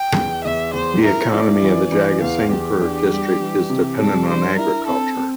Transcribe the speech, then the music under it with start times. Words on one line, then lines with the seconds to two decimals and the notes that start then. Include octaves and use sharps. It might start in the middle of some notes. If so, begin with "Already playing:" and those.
The economy of the Jagatsinghpur district is dependent on agriculture.
Already playing: G5
0.16 E2
0.44 E2 E5
0.73 E2 C5
1.04 E4 A#4
1.33 E4 D5
1.63 E3
1.92 E3
2.21 E2 F5
2.51 E2 G4
2.81 D4
3.10 G3
3.40 E3
3.70 C3
3.99 G3 A4
4.28 D4 C5
4.58 E4 A#4
4.87 C4 A4
5.17 C4